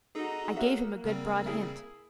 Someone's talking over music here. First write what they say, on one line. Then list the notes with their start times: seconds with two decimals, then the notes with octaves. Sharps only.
I gave him a good broad hint.
0.15 D#4 F#4 G#4 A4
0.57 A#3 C#4 F#4 E5
1.05 C#3 G3 C4
1.46 E4 G#4